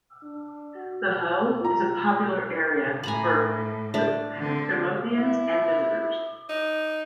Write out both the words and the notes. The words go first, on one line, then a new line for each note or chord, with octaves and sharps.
The Hoe is a popular area for Plymothians and visitors.
D4
F#4
F4 A#5
A2 G#5 A#5 B5
A3 D4
D3 C4
E4
D#4